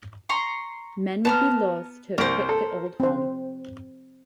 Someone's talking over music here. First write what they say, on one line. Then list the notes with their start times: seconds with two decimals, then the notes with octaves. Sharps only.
Men would be loath to quit the old home.
0.29 A#5 C6 C#6
1.25 B3 A5 A#5 F6
2.18 C2 A#4 C5
2.49 A4
3.00 C4 C5